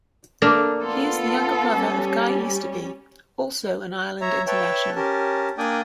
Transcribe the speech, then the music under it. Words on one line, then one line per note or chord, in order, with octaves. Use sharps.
He is the younger brother of Guy Easterby, also an Ireland international.
A3 A#3 D4
B3 F4 A4
G3 C#4
C#5 E5 A#5
B4 C#5 E5 G5 A5
C#4 G4 A#4 A5
A#3 D4 D5 G5 G#5 D#6